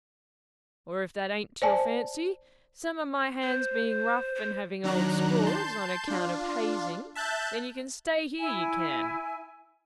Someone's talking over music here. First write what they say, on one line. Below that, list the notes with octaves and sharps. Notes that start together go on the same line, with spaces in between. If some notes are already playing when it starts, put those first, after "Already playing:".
Or if that ain't to your fancy, some of my hands being rough and having old scores on account of hazing, then you can stay here, you can.
C5 D5 G#5 A5
C5
C5
D#3 F#3 D4 A#5 F#6
A5 C6 G6
D4 F4
E5 A5 F#6 G6 A6
E4 G#5